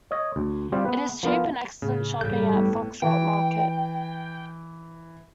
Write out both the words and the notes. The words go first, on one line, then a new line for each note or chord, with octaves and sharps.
There is cheap and excellent shopping at Foxrock market.
C#5 D#5
D2
G3 C4 F4 G4
B3 B4
F3 A#3 B3 F4
A2 C#3 A3
A1 G2 G3 A4 G6
A2 B3
E3 G5